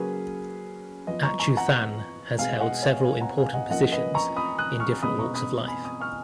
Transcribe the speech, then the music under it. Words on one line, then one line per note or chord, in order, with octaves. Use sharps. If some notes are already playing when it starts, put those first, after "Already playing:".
Achuthan has held several important positions in different walks of life.
Already playing: C#3 F#3 A#3 C#4 G#4 B4
F3 B3 B4 D#5
A#5 C#6
A#5 C#6
F#5 A#5
B2 G#3 B3 F5 G#5
D#5 F#5
C#5 F5
F5 G#5
F#5 A#5
F5 G#5
D#5 F#5
F3 A#3 C#4 D#5 F#5
B4 D#5
A#5 C#6
B5 D#6
D#6 F#6
C#6 F6
B2 G#3 C#4 B5 D#6
A#5 C#6
B5 D#6
G#5 B5
B5 D#6
C#6 F6